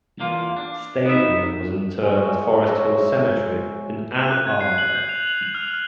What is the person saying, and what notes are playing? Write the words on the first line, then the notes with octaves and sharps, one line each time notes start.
Staebler was interred at Forest Hill Cemetery in Ann Arbor.
E2 A#3 F4
D4
B3 D#4 E5
G#3 F#4
C5 C#5 E5 A#5
D#7
F#6
G#6
C7
F#7
G6
F7
F#7
F7
F6
F7